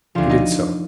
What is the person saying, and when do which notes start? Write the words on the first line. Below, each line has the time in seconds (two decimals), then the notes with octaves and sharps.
He did so.
0.15 D2 D3 F3 F4
0.29 D#4